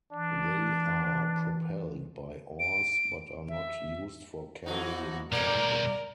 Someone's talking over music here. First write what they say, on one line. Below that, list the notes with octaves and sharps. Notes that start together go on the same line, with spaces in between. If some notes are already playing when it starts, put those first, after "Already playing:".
They are propelled by oars but are not used for carrying cargo.
E3 D4
D7
E5
E3 F3 D#4 F#4
B2 G3 A#3 A#4 D5